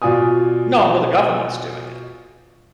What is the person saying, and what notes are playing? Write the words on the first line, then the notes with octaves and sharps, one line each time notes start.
No, but the government's doing it.
B2 F4 D5 G#5 D#6